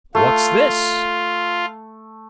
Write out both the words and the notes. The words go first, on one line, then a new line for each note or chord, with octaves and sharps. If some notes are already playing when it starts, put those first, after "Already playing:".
"What's this?"
A3 F4